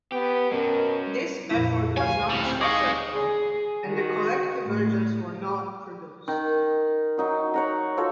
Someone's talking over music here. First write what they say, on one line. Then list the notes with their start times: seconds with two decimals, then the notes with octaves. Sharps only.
This effort was not successful and the collectible versions were not produced.
0.12 B3 G4
0.51 B2 F#3 C#4 A#4
1.51 F2 A#2 F3 E4
1.97 D2 C#5 F5 G#5
2.30 A2 G3 C4
2.61 D#4 G#4 D#5 F5 C#6 D6
3.13 G#4
3.87 D#3 F#4
4.63 A2
6.28 D#3
7.18 F#3 D#4 F#4
7.54 C#5 F#5 A#5
7.97 F4 F#4 A4 C#5